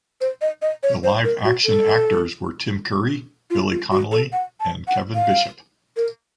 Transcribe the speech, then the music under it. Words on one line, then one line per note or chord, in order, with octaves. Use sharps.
The live-action actors were Tim Curry, Billy Connolly, and Kevin Bishop.
C5
D#5
D#5
C#5
C5
A#4
F#4
A4
F4
F4
F#4
A4
F#5
A5
F#5
F5
A#4